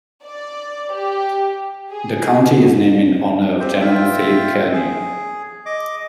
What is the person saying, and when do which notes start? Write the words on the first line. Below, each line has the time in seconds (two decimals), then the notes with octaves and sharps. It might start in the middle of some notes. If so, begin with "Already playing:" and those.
The county is named in honor of General Philip Kearny.
0.24 D5
0.92 G4
1.91 G#4
3.60 C4 G4 C5
3.81 F4 E5 G5
4.73 G#4
5.66 D#5 D6